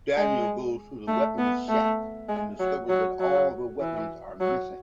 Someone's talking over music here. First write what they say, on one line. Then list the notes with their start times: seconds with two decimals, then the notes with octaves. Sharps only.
Daniel goes to the weapons shack and discovers that all the weapons are missing.
0.17 G#3
1.08 A3
1.38 B3
1.69 A3
2.29 G#3
2.60 F#3
2.89 F#3
3.20 F#3
3.80 E3
4.41 F#3